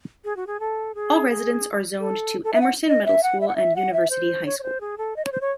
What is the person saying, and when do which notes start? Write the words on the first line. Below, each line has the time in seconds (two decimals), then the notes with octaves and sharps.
All residents are zoned to Emerson Middle School and University High School.
0.24 G#4
0.36 F#4
0.47 G#4
0.60 A4
0.95 G#4
1.30 G#4
2.00 A4
2.44 A4
2.53 E5
2.61 F#5
2.88 D#5
3.06 E5
3.23 F#5
3.41 E5
3.48 F#5
3.56 E5
3.76 F#5
3.93 E5
4.10 C5
4.46 C#5
4.59 C#5
4.63 C5
4.81 G#4
4.98 A4
5.16 D#5
5.25 C#5
5.32 C5
5.41 C#5